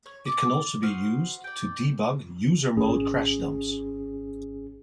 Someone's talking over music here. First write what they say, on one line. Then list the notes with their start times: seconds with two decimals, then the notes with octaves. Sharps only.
It can also be used to debug user-mode crash dumps.
0.06 C#5
0.25 D5 D6
0.83 F#4 C5 D#6 F6
1.44 D5 G5
2.77 G#1 C#4 G#4